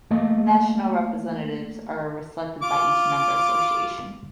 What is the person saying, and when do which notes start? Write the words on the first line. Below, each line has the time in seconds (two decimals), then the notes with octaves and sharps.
National Representatives are selected by each member association.
0.11 A3 A#3 D#5 A5
2.63 F4 D6